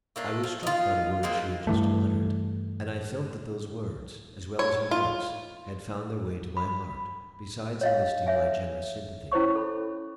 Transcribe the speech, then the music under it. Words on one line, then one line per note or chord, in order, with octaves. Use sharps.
I was struck by the words she had just uttered, and I felt that those words, as well as her looks, had found their way to my heart, besides enlisting my generous sympathy.
A3 A#3 D4
F3
D#4 F4
F3 G#3 A#3 C4
G2 E3 A3
C#5
F4
B5
C#5 D#5 F5
C#5 E5 G#5
C#4 E4 C5 C#5 C#6
A4 B5